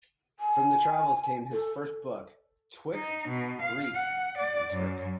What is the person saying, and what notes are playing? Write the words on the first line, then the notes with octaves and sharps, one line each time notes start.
From the travels came his first book, "Twixt Greek and Turk".
G#5
A4
D#4
B2
F5
F#5
D5
F#2